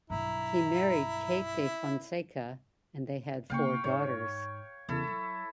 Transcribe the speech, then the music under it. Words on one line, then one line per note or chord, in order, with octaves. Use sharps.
He married Kate de Fonseka and they had four daughters.
B1 G2 E4 A#5
C#3 A#3 F5 G5 C#6
G#2 C#5
E2 C#3 E4 A4 E5
F#3